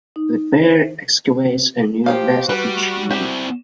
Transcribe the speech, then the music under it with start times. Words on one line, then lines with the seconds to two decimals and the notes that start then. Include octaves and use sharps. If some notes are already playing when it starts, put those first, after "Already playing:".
The pair excavates a new nest each year.
0.16 D#4
0.60 C5
2.06 F3 D#4 G4 F5
2.49 G3 F#4 B4
3.11 C4 E4 G4